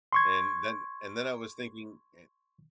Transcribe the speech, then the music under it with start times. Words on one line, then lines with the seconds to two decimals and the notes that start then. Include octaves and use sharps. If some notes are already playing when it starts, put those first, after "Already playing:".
And then and then I was thinking and
0.13 C6 C#6 G#6